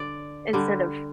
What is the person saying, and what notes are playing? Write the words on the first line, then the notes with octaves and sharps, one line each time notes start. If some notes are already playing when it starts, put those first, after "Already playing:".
instead of
Already playing: D3 D5
D3 G3